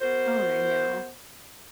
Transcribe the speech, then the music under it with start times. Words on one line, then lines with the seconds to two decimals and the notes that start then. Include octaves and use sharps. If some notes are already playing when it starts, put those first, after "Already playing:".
Oh, and I know.
0.01 B3 F#4 A#4 C5